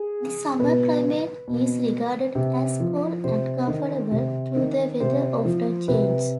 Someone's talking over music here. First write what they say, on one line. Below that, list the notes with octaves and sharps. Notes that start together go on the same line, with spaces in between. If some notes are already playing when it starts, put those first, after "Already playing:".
The summer climate is regarded as cool and comfortable, though the weather often changes.
Already playing: G#4
B2 B4
B2
C3
F3
C3 C5
D#3
C3
D#3
C3 C5
F3
C3 B4